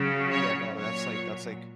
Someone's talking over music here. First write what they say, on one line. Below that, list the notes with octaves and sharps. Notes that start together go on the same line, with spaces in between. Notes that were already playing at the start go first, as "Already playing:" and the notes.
Yeah, no, that's, like that's, like,
Already playing: C#3 F#3
C#5
A#2 F#3 C#5